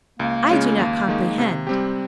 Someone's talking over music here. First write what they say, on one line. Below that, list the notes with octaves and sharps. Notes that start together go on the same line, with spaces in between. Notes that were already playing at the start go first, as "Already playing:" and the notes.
'I do not complehend!'
C#2 A#3
C#3 G#3 C#4 F4
D#2
D#3 G#3 D#4
C3
G3 C4 G4